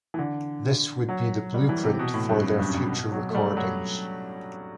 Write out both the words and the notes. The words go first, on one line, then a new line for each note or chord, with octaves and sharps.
This would be the blueprint for their future recordings.
E3
D3
F#3
G3
E3
C3
B2
A2
G2
F#2
G2
F#2
G2
B2
F#3
A3
G3
F#3